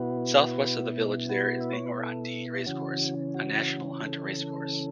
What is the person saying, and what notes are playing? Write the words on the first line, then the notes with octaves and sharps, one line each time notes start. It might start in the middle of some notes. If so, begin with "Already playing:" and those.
South-west of the village there is Bangor-on-Dee racecourse, a National Hunt racecourse.
Already playing: B2 B3 E4 F#4 B4
F#4 B4
E5
C#5
B4
A4
C#3 E3 C#4 F#4
F#4
A4